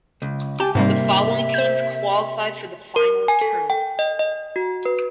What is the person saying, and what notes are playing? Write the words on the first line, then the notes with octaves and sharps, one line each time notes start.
The following teams qualify for the final tournament.
C#2
G4 G#5 A5
G#2 C3 G3 A#3 E5
C5 G6
A#4
G#5
A4
G5
D#5
D#5
F#4
B4